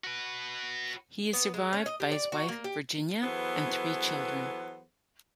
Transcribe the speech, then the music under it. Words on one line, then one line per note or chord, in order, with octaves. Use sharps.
He is survived by his wife Virginia and three children.
F#4 B4
B3
G#3
C#4
D#5
G4
D5
F#4
A#3
G4
E3 F#3 B3 G#4 A4 C5